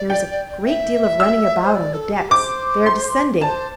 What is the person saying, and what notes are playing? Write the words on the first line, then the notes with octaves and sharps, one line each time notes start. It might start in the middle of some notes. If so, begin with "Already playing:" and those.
There is a great deal of running about on the decks--they are descending.
Already playing: D5
G5
E5
E6
C5
D5
A4
G4
C5 D6
C6
C5 D5 A5